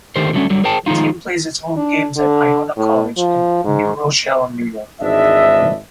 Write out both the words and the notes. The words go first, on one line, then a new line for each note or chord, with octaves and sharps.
The team plays its home games at Iona College in New Rochelle, New York.
D3 D#3 A3 G4 A#4 C5
D3 F#3 G3 A3 B3 C#4
D3 F#3 G3
G#4 A#4 C5 G5 A5
D#3 F3 G#3 D#4 F4
D4
D3
A2
F3
G#2
G#1 G#2 E3 D4 D#5 E5